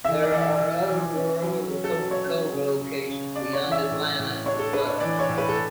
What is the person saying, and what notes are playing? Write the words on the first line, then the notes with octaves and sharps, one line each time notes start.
There are other World of Coca-Cola locations beyond Atlanta as well.
E3 E5
D5
E3
E5
E3
E3
C#4
F#3
C#4
A4
F#3
C#5
C#4
C#3
C#3
C#3
D4 D5
C#5
E3
E5
A2
A2
D4 C#5
A4
D4 B4
C#5
E3 D5
C#5
A2
B4
A4